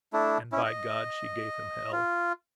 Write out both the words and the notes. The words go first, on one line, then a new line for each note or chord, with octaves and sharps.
And, by God, she gave him hell.
A3 D4 E4
C#4 E4
D#5
F4